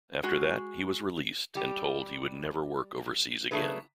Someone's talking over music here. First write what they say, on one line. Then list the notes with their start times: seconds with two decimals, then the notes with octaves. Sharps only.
After that, he was released and told he would never work overseas again.
0.23 G#3 F#4
1.55 G3 G4
3.51 C#3 F#3 A3 D4 G#4 B4